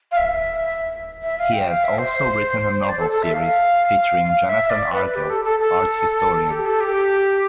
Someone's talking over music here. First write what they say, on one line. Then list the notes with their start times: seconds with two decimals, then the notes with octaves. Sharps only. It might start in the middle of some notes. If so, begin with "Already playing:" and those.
He has also written a novel series featuring Jonathan Argyll, art historian.
0.12 F5
0.17 E5
1.23 E5
1.38 F5
1.53 G5
1.68 F5
1.84 E5
1.98 C5
2.89 D5
2.99 A4
3.11 A4
3.23 E5
3.34 F5
4.24 F5
4.47 E5
4.70 D5
4.93 B4
5.15 G4
5.30 A4
5.45 A4
5.60 A4
6.50 G4
6.66 A4
6.80 G4